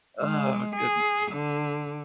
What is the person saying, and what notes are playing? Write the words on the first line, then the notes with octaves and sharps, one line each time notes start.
Oh, goodness.
G#3
G#4
D3